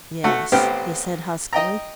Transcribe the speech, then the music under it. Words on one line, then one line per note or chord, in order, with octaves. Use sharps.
"Yes," he said huskily.
A3 F#4
A1 B3 C4 G4 G5 F6
D#5 G5 A#5